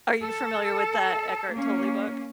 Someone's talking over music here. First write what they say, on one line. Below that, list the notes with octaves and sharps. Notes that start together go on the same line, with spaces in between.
are you familiar with that Eckhart Tolle book?
A4
A#3 C#4